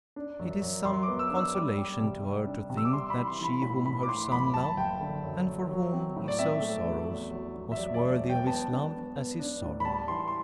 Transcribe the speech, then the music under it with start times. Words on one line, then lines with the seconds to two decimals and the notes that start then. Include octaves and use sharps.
It is some consolation to her to think that she whom her son loved, and for whom he so sorrows, was worthy of his love as his sorrow.
0.16 D4
0.40 F#2
0.62 F#2
0.85 F#2 C6
1.03 B3 D6
1.19 E6
1.31 D4
1.36 E6
1.54 G3 D6
1.78 G3
2.01 C3
2.24 G3
2.47 D4
2.70 C3
2.77 E6
2.85 D6
2.93 G3 C6
3.10 B5
3.16 E3
3.27 C6
3.40 E3 B5
3.62 A2 B5
3.85 E3 B5
4.03 D6
4.08 A2 C6
4.31 F#1 B5
4.54 F#1 A5
4.77 F#1 G5
5.00 D3
5.23 F#2
5.47 F#2
5.70 F#3
5.93 C4
6.16 A2
6.28 D5
6.39 C4 E5
6.62 A3
6.85 F#3
7.08 E2
7.31 F#3
7.55 E2
7.72 E5
7.77 F#3 D5
7.94 D5
8.00 E1
8.23 F#3
8.29 G5
8.46 B3 A5
8.70 D4
8.93 B3
9.16 B3
9.39 D4
9.62 A2
9.80 B5
9.85 G3 A5
10.08 E3 C6
10.28 C6